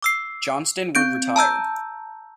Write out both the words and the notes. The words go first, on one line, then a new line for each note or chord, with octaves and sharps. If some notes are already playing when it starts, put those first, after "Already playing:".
Johnston would retire.
D6 E6 C7
C4 G6 D7
A5 A#5 E6 G6